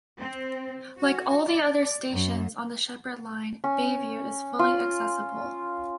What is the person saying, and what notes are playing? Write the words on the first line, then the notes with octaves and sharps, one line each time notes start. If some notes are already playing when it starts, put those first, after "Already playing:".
Like all the other stations on the Sheppard line, Bayview is fully accessible.
C4
F#4
D5
F#2
C#4
F4